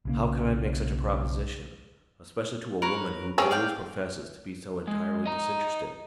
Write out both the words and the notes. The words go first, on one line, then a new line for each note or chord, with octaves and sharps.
"How could I make such a proposition, especially to a woman who always professes to be so entirely disinterested?"
B1 C#3 A#3
A#4 B4 C#5
C4 G4 G#4 A#4 C#5 F5
D5 F5 G5
G#3
D#5 A#5